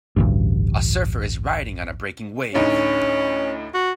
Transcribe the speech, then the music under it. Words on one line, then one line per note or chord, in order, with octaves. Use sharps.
A surfer is riding on a breaking wave.
A1 D2 G2
D2 A2 C#4 D#4
F#4